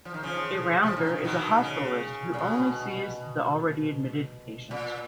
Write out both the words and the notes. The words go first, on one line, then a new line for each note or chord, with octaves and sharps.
A rounder is a hospitalist who only sees the already admitted patients.
F3
D#3
C#3 F3
F3
D#3
C#3
B2 D#3
C#3
A#2
B2
A#2